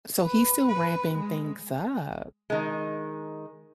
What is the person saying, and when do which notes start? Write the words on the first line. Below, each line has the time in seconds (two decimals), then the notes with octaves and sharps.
So, he's still ramping things up.
0.25 B4
0.68 B4
1.15 G#3
2.50 D#3 G#3